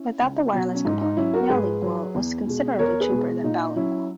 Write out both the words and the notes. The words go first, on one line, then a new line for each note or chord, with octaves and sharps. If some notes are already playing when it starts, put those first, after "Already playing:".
Without the wireless component, Meowlingual was considerably cheaper than BowLingual.
Already playing: C#4 E4
C#2
B2 F#3
C#4
G#2 D#4
D#4
F#3 C#4 E4
F#4 A#4
G#2 G#4 B4
F#3
E2
B2 G#3
E2 A#4 C#5
G#4 B4
B2 G#3
A#2 D#4
F#3 C#4 E4